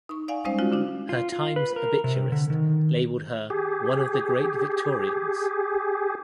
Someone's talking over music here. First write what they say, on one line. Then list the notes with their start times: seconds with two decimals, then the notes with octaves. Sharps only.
Her "Times" obituarist labelled her "one of the great Victorians".
0.09 D#4 C#6
0.28 D5 F5 F#5 G#5
0.45 G3 G#3 C#4 D#4 C5 F5
0.59 G#3 C#4 F4 F#4
0.72 D3 D4 E4
1.09 F4
1.32 F4
1.56 B4
1.76 A#4
2.04 C3
2.32 D3
2.50 D#3
3.50 G4 G#4